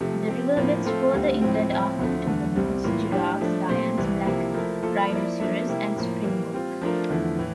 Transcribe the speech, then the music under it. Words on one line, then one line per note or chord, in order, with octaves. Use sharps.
The riverbeds further inland are home to baboons, giraffes, lions, black rhinoceros and springbok.
C3 F3 A3
F3 C4 G4
A2 F3 A#3
F3 A3 C4 F4 A4
D2 D3 G3 C4
A2 F3 C4
A2 F3 C4 E4
D2 D3 F3 A3
E2 D3 A3
C2 C3 G3 C4
A2 E3 A#3 F4
A2 G3 D4 G4
F3 A3 D4
A#2 A3 C4 G4 C5
C2 C3 E3
C3 F3 A#3 E4
F3 A3 E4 A#4
F3 A#3 F4 A4
F3 A#3 E4 A#4 D5
F3 A#3 D4 A4 E5
C3 G3 A#3 E4
A2 F3 A#3
E3 G3 A#3
G3 C4 F4
F3 A3 D4 F4 A#4
E2 D3 F3 A3 E4
A2 E3